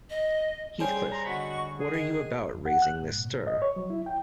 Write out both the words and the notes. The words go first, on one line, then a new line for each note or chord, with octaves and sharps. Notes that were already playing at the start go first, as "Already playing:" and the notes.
Heathcliff, what are you about, raising this stir?
D#5
G3 C#4 G#4 C5 G5 C6
A#5
D3 F#4 D#5 F#5 B5 C#6
G#4
D#3
F2
F#5
F#6
G#2
A#2
A2
D#5
C#5
F#3
E4
G5